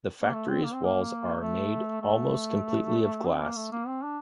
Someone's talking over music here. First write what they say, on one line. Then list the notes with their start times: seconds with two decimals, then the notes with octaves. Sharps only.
The factory's walls are made almost completely of glass.
0.23 A#3
0.33 A3
0.48 C4
0.63 A#3
0.74 C4
0.84 A#3
1.41 A3
2.02 A3
3.25 C4
3.41 A#3
3.56 A3
3.72 A#3
3.87 C4
4.03 D4